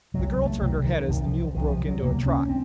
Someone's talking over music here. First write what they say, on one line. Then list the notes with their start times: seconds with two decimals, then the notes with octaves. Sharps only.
The girl turned her head as the mule broke into a trot.
0.14 C2 C3 F#3
0.30 F#3
0.45 A3
0.61 C2 C3 F#3
0.85 D#3
1.08 C2 C3 F3
1.17 D#3
1.25 F3
1.55 C2 C3 D#3
1.71 F3
1.87 F#3
2.02 C#2 C3 A#3
2.26 C#4
2.49 C4